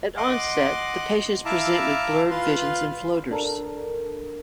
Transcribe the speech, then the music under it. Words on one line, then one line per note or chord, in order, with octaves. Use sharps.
At onset the patients present with blurred vision and floaters.
D#5 F#5 C6 D6
E4 E5 F5 A5 A#5 D6
F4 B4 F5 C6
D4 A4 A#4